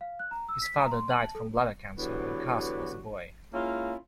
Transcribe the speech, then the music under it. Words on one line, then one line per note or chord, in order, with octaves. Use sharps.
His father died from bladder cancer when Carson was a boy.
F5
F#6
A#5
E6
B6
A#5
C6
F#7
A5
A4
D3 E3 F#3 B3 F#4 G4
G#3 A#3 C#4 E4 F4